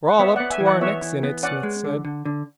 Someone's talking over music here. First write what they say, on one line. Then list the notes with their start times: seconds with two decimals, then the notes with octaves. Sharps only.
"We're all up to our necks in it," Smith said.
0.08 F#5
0.20 B3 C#5 E5
0.36 B3 D5 F#5
0.50 E5 G#5
0.60 E3
0.66 D5 F#5
0.81 B3 C#5 E5
1.02 E3
1.23 B3
1.43 C#4 D5 F#5
1.63 G#3
1.84 D3
2.05 D3
2.25 D3